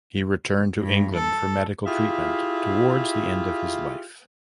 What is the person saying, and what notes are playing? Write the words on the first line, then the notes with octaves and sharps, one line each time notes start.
He returned to England for medical treatment towards the end of his life.
G2
A4
E4 F4 G4 G#4 E5 F5